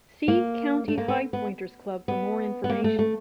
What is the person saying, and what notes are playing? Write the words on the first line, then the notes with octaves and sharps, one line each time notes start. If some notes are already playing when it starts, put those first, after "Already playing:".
See County Highpointers Club for more information.
A#3
A3
A#3
B3
B3
B3
B3
A#3
A3
A3